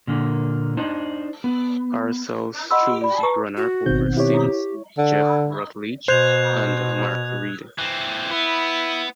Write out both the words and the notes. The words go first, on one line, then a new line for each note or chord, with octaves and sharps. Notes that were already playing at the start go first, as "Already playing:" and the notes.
Parcells chose Brunner over Simms, Jeff Rutledge and Mark Reed.
A#2 D3 A#3
D4 D#4 C5
B3
D#5 F#5 B5 C6 E6
D5 B5
B4 A#5 C#6
F#4
G#1 B2 D#3 C4 G6
E4 G4 C#5
D3
B2 C5 F#6 G#6 F7
E3 C4
B3 E4